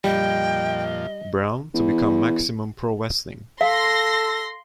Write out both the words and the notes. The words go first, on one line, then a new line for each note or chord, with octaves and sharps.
Brown, to become Maximum Pro Wrestling.
F2 A#2 F3 G3 D#5 G5
E2
A4 F5 C6 A#6